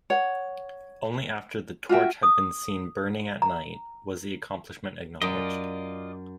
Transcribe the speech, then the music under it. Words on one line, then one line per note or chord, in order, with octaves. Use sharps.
Only after the torch had been seen burning at night was the accomplishment acknowledged.
C#5 F#5
F4 F#4 E5 G5
D#6
A#5
F#2 F4 D5 D#5